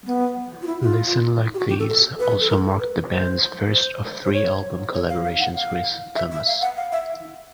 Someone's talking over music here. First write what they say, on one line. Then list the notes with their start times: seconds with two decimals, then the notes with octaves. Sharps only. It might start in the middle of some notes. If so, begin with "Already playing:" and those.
"Listen Like Thieves" also marked the band's first of three album collaborations with Thomas.
0.06 B3
0.62 F4
0.67 E4
0.83 F4
1.54 G4
1.59 F#4
1.69 G4
1.79 A4
1.89 A4
2.19 B4
2.41 A4
2.50 A#4
2.81 B4
3.11 C5
3.72 C5
4.25 C5
4.33 C#5
4.88 C5
4.94 C#5
5.10 F5
5.25 F5
5.40 F#5
5.55 F5
6.16 E5
6.31 E5
6.47 F5
6.62 F#5
6.77 F5
6.92 E5